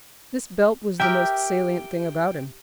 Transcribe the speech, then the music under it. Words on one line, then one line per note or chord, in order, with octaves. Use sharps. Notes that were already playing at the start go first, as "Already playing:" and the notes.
This belt was the most salient thing about him.
G4 A#4 E5 G5